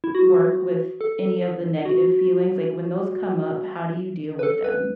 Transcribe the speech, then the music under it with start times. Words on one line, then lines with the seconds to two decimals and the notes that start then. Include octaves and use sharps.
work with any of the negative feelings? Like, when those come up, how do you deal with them?
0.04 E4
0.15 F#4
1.01 A4
1.85 F#4
4.39 B4
4.43 A4
4.64 B4